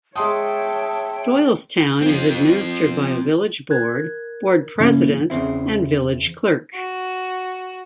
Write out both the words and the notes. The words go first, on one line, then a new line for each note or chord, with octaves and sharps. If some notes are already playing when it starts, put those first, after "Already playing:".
Doylestown is administered by a Village Board, Board President, and Village Clerk.
G#3 C#5 E5 G5 A5 C6 D#6
C4 F4
A#4 F#6 G#6
G2 C#3 E3 A#3 C#4 E4
E2 C#3 C4 E4
F#4